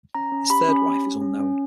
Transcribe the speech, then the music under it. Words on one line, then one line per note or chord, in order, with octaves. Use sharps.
His third wife is unknown.
C#4 A#5
C#4
G4 B5
C#4
G4
C#4
C#4
C#4